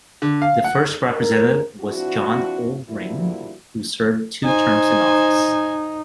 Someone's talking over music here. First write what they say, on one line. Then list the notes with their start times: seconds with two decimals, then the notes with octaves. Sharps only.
The first representative was John Oldring who served two terms in office.
0.22 D3
0.42 F5
0.64 F#5
1.12 A#4
1.80 F3 C4 D4 E4 F#4
2.88 D3 F3 G3 A#3 E4 F#4
4.45 D#4 C5 G#5